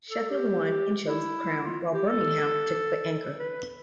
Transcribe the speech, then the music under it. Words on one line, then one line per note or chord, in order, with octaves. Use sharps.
Sheffield won and chose the crown, while Birmingham took the anchor.
A4
G4
E4
F4
G4
A4
B4